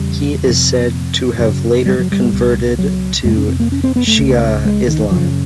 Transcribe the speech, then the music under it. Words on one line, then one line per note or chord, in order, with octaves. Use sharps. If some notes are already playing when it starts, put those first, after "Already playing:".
He is said to have later converted to Shia Islam.
Already playing: E2 C#3 G3
F2 C3
F#2 C#3 F#3
G3
F#3
G3
C#2 B2
F#3
F2 C3 G#3
C#4
C4
A#3
C#4
C4
B3
A3
C#2 C#3
G#3
D#3
F#2 C#3 F3